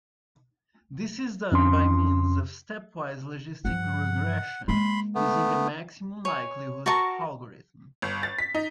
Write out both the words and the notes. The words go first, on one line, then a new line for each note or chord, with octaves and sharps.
This is done by means of stepwise logistic regression, using a maximum likelihood algorithm.
F2 C#4 C6
G2 F3 F#5
G#3 A#3 B5 C6
A3 B3
C#5 G#5
F#4 A#4 A5 C#6
G1
A6
B6
D#4